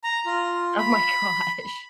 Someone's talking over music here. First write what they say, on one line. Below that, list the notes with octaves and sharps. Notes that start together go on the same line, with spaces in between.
Oh my gosh.
A#5
F4
B5